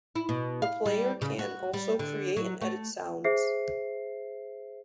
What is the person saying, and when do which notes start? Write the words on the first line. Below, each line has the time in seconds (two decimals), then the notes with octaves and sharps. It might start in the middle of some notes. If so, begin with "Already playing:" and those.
The player can also create and edit sounds.
0.16 E4
0.29 B2
0.62 F5
0.86 G3
1.22 C#3
1.39 F#4
1.74 G3
1.99 D3
2.37 F#3
2.61 A3
3.24 G#4 C5 E5 C7